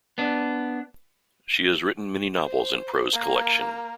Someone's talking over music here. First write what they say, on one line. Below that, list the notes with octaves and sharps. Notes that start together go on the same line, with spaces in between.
She has written many novels in prose collection.
B3 D4
C5
A#3 A#4